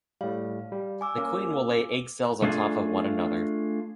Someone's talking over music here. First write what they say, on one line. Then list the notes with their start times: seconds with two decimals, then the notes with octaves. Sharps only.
The queen will lay egg cells on top of one another.
0.21 A2 G3 F5
0.72 G3
1.01 G#5 D6 E6
1.17 A#3 C#4
2.42 A3 D4 F4 G#4